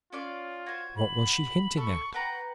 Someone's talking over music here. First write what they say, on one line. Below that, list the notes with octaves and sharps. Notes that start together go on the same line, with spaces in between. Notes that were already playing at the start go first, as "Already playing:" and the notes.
What was she hinting at?
C#4 F4 D5 F5
F#4 C5 G#6
B5 F#7
A4 C#6
B4 F#5 G5 A#5